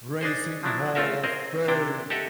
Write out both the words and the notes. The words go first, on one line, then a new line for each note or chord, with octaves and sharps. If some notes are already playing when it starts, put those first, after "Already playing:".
Racing Hall of Fame.
D4 D#4 G#4 C5
F3 F#3 D4 E4
A3 C4 F4 A4 A#4 E5
C4 G#4 A#4 C5 D#5
C3 D4 E4 G5
G4 A4 D#5 E5 F#5